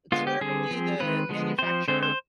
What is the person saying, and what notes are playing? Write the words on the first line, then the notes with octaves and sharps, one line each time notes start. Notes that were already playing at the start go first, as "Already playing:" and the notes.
clearly the manufacturer
D3 G#3 B3 F4
G4
D3 G3 C4 G#4
F3 C4
D#3 G#3 C4 B4
D3 F3 G#3 B3
F3 C4 C5
D3 G#3 C4 C5
C5